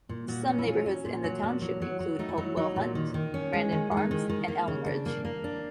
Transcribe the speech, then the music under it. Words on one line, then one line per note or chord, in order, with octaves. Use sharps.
Some neighborhoods in the township include Hopewell Hunt, Brandon Farms and Elm Ridge.
A#2
A#2 F#4
C#4
E4
F#3 F4
C#4
A#2
F#3
A#2 D4
F#3
F#3
F#3
A3 D#4
E4
F#3 D#4
F#3 D#4
A#2
D#3
D#3
C#4
G#3
D#3
G#3
D#4
D#3
D#3
A#3
C#3
D4
A#3
A#3
D4